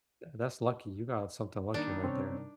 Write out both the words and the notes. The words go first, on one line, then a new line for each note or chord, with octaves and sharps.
tha that's lucky. You got something lucky right there.
D#3 G3 A#3 D4 D#4
G2 C3 C4 C#4 C#5